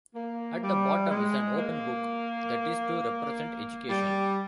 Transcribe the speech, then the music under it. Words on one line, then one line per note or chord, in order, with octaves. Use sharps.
At the bottom is an open book that is to represent education.
A#3
G3
G#3
A#3
G3